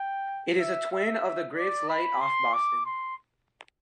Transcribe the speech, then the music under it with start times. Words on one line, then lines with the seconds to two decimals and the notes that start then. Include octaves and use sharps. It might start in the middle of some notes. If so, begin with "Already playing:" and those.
It is a twin of the Graves Light off Boston.
Already playing: G5
0.59 E5
0.91 E5
1.56 D5
1.89 B5
2.21 C6
2.54 D6
2.86 C6